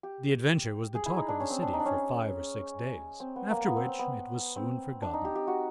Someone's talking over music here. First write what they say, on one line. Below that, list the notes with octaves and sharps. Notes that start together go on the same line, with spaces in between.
The adventure was the talk of the city for five or six days, after which it was soon forgotten.
G4
G#4
E4
D#4
D4
C#4
C4
D4
D#4
D4
C#4
C4
B3
A#3
B3
C4
C4
B3
C4
D4
D#4
G4
G4
F#4